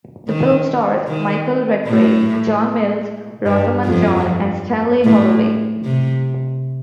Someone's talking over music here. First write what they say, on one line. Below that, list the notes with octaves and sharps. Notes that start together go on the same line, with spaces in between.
The film stars Michael Redgrave, John Mills, Rosamund John and Stanley Holloway.
D#3
D#3
A2
G2
F2
A2
C3